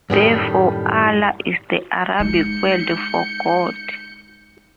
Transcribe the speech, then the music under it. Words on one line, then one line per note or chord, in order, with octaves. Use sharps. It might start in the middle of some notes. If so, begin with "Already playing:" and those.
Therefore, "Allah" is the Arabic word for "God".
F#2 A2 D#3 G3
G#3 D#4 G6 C#7